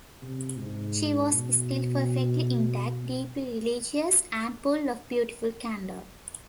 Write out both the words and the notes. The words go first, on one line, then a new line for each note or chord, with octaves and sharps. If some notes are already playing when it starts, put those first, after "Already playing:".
She was still perfectly intact, deeply religious, and full of beautiful candour.
C3
G#2
B2